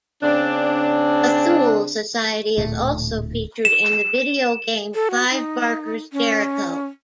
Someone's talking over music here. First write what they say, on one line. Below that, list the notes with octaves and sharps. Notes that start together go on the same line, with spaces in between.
The Thule Society is also featured in the video game "Clive Barker's Jericho".
C#3 C4 D4
D1 A#2 A3
E7
A4
F#4
D#4
C#4